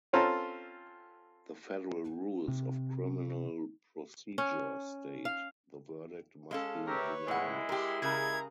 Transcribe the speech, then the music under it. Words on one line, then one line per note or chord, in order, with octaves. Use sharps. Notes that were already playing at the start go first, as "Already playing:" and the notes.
The Federal Rules of Criminal Procedure state, The verdict must be unanimous...
C4 C#4 F4 A4 C5 A#5
C3
C#4
F5
G#3 C#4 A4 F5
G4 A#4 B4 C#5 E5
A2 G#3 E4 F#5
G4 A#4 C6
C#3 G#4 A#4 A#5 G#6